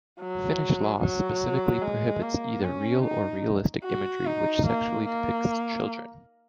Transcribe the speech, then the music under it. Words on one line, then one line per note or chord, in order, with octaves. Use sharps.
Finnish law specifically prohibits either real or realistic imagery which sexually depicts children.
F#3
F#3
G#3
A#3
C#4
D#4
F#4
D#4
A#3
A#3